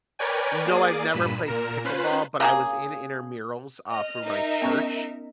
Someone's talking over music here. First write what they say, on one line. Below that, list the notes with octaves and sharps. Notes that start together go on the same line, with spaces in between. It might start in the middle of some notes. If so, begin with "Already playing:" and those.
No, I've never played f pickleball, but I was in intermurals, uh, for my church,
A#4 B4 C#5 D5 G5 G#5
A#3 G#4 D5 D6 D#7
G2 A#2 B5 D#7 E7
A#2 A#4 E7
C#4 F4 B4 C5 F#6
C#3 A#3 G#4
D#5 F6
D#4 A#4 E5
B3 C#4 C#6